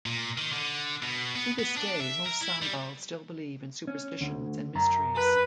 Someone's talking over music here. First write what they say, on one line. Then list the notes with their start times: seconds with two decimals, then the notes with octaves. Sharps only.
To this day, most Sambal still believe in superstitions and mysteries.
0.06 A#2
0.38 D#3
0.52 D3
1.03 B2
1.36 B3
1.59 B3
1.77 D4
2.00 E5
2.26 A#4
2.41 E4
2.62 G3
3.87 C#4
4.21 D2
4.75 F#2 A#5
5.15 B4